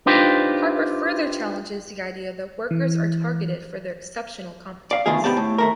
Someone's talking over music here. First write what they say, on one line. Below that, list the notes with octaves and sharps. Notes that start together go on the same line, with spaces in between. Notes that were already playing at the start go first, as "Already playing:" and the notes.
Harper further challenges the idea that workers are targeted for their exceptional competence.
D4 D#4 F4 G4 B4 C5
E3
D5 F5
D2 B2 D#3 G#3 F4 G#4
G#2 B3 G4 D5 A5
A2
D#2 A3 A#4